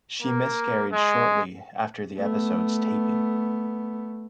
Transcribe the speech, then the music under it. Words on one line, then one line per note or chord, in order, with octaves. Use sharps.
She miscarried shortly after the episode's taping.
A#3
G#3
A3 B3